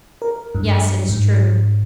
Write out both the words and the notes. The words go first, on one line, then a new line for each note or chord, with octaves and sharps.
Yes, it is true.
A#4
G2
G#2